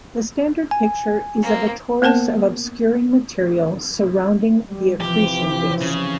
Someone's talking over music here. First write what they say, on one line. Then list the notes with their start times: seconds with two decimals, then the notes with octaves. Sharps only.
The standard picture is of a torus of obscuring material surrounding the accretion disc.
0.71 G#5
1.43 A#3 C4
2.02 A#3 B3 A#4 C5 A5
4.70 G3
5.01 C3 E3 F3 G4
5.81 C#3